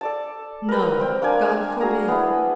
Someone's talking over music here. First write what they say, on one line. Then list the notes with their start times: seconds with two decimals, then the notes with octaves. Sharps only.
No, God forbid!
0.01 A4 D5 A5
0.69 A#4 B4
1.00 C4 G5
1.22 A#3 D4 D5 G#5
1.81 F#4 G#4 A#5
2.08 B3 E4